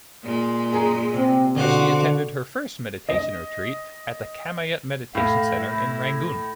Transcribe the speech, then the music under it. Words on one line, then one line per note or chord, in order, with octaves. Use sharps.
She attended her first meditation retreat at the Kamayut Meditation Center in Rangoon.
A#2 G#3
F#2 G#4 A#4
C3 C4
B2 D3 F#4 C5 F5 D6
D#5
A2 F5
E4